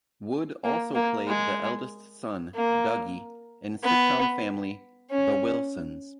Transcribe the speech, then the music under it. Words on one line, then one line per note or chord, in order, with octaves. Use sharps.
Wood also played the eldest son, Dougie, in sitcom family "The Wilsons".
A#3
A#3
G#3
A#3
B3
C#4